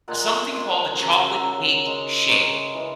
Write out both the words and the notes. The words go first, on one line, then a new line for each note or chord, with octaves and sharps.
something called the Chocolate Cake Shake
A#2 G#3 F#5 A#5
A#2 G#3
C#3 F#3 F#5 A#5
E5 G#5
F#5 A#5
F#5 A#5
C#3 F#3
C#3 G#3
C#3 G#3 A#4 C#5
C#3 E3 G#3